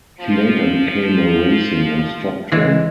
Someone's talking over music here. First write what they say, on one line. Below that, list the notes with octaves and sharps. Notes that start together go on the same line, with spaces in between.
He later became a racing instructor.
F3
E3 G#3